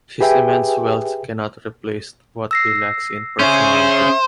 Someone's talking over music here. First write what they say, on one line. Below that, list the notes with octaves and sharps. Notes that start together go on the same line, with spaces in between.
His immense wealth cannot replace what he lacks in personality.
G4 G#4 B4 E5 G5 G#5
E6 A#6 C7
C#4 G#4 C5 E5